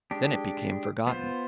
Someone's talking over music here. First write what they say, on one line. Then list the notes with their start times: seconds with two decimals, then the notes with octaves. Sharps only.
Then it became forgotten.
0.11 G#3 D4 G4
1.07 B3 F4 C5